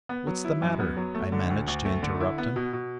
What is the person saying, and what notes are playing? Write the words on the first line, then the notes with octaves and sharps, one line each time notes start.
"What's the matter?" I managed to interrupt him.
B3
F#3
E4
F#2
B3
F#3
A3
D3
D2
D2
A3
D3
E4
B3
B2
B2